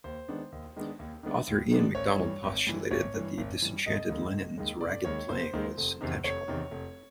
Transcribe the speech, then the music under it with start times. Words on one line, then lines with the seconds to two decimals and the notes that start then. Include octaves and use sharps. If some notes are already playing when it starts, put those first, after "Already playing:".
Author Ian MacDonald postulated that the disenchanted Lennon's ragged playing was intentional.
0.04 D#2 C5
0.28 D#3 G#3 B3 D4
0.52 D#2
0.77 D#3 G#3 B3 D4
0.99 D#2
1.23 D#3 G#3 B3 D4
1.47 D#2
1.71 D#3 G#3 B3 D4
1.95 G#1 C#5
2.19 G2 E3
2.43 G#1
2.67 G2 E3
2.91 G#1 C#5
3.14 G2 E3
3.38 G#1
3.62 G2 E3
3.86 F1 D#5
4.09 D#2 D#3 G#3
4.33 F1
4.58 D#2 D#3 G#3
4.81 F1 D5
5.05 D#2 D#3 G#3 C#5
5.29 F1 C5
5.53 D#2 D#3 G#3
5.77 F1
6.01 E2 C3 D#3
6.24 F1 C#5
6.48 E2 C3 D#3
6.71 F1